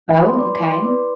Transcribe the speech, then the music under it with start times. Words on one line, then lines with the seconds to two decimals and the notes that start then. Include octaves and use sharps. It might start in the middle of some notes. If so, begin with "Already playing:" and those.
Oh, okay.
0.10 E4 B5
0.27 C6
0.35 B4 D5 D6
0.43 C6
0.59 E4 D6
0.71 C6
0.83 B4 D6
0.87 D5